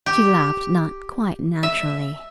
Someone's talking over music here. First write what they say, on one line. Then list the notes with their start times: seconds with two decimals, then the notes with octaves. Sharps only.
She laughed, not quite naturally.
0.06 G4
1.63 E5